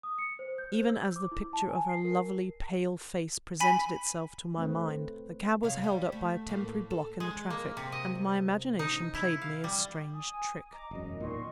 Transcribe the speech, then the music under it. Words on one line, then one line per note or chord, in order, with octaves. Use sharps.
Even as the picture of her lovely, pale face presented itself to my mind, the cab was held up by a temporary block in the traffic--and my imagination played me a strange trick.
D#6
C#7
C5
G6
C5
E6
D6
E4
A5
G#5
C7
A#4
G#5 B5 B6
A3 C4 B4
C3 C#5 F5
G3
A3
A2 A3 A#3
A4
G#3
A#3
C3
D#5
D#4
E4
F5
G3
G#5 D#6
D#5 A#5 D6
E1 F#2 D#5
A#2 D#3 D#5 C6 C#6